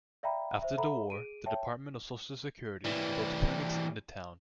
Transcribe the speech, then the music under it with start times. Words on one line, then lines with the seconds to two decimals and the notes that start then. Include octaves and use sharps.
After the war, the Department of Social Security built clinics in the town.
0.23 D5 E5 F5 G5 A#5 B5
0.62 C5 E5
0.78 A4 E5 F#5 A#5 B5
1.10 G#4 D7 D#7
1.46 C#5 E5 G5 A5
2.84 E3 G3